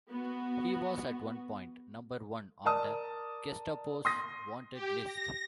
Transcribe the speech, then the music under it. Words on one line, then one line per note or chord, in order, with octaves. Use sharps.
He was, at one point, number one on the Gestapo's wanted list.
B3 F#4
A#4 D5 A5 D#6
C6 D#6 A#6
G4
A#6